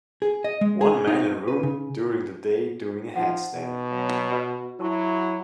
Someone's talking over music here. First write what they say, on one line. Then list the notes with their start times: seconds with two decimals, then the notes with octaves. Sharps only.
One man in a room during the day doing a handstand.
0.22 G#4
0.44 D#5
0.61 G#3
0.81 G#4
1.07 D#4
1.48 B4
1.63 C#3
3.16 F3 D#4 F#5
3.54 B2
3.92 F#3 F5
4.31 F#4 B4 D#5 B5
4.80 F#3 E4 A#4 A5 C#6